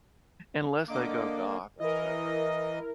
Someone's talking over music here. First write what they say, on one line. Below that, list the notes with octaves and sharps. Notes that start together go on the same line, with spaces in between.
unless they go goth, or whatever.
D3 A#3 D#5 D6
E3 E4 A#4 D#5